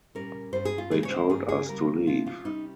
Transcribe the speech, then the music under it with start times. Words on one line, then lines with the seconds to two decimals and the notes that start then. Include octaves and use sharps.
They told us to leave.
0.15 A#2 G3 C#4 A#4
0.53 G2 G3 C#4 C5
0.65 G#4
0.78 F4
0.91 C#3 G#3 C#4 G#4
1.05 C#5
1.11 C5
1.30 G2 D#3 A#3 G#4
1.49 G#4
1.68 C#3 G3 A#3 C#4 A#4
2.06 C3 F3 G#3 C#4 F4
2.26 F4
2.45 C3 G3 C#4 D#4